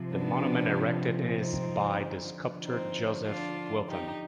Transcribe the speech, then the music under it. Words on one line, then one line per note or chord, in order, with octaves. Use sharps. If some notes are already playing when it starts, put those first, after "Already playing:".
The monument erected is by the sculptor Joseph Wilton.
Already playing: C3 F3
B3 D4
C4 D#4
D3 F3
C4 D#4
D4 F4
D#4 G4